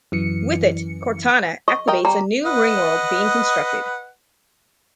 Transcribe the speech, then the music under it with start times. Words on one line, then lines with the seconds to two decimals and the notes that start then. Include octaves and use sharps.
With it, Cortana activates a new ringworld being constructed.
0.12 F#2 E3 C#7
1.68 D#5 C#6
1.88 A#4 D#5 G5
2.05 G3 A#5
2.45 B4 D#5 F#5